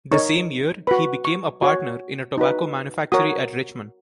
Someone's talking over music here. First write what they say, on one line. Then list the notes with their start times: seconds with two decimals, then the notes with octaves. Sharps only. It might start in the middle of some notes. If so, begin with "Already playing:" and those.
The same year, he became a partner in a tobacco manufactory at Richmond.
0.11 D#4 A#4 C#5 C#6
0.87 F#4 B4 B5
1.25 C#6
1.62 F#4 C#5
2.37 D#4 F#4 B4
3.12 F#4 A#4 C#5 D#6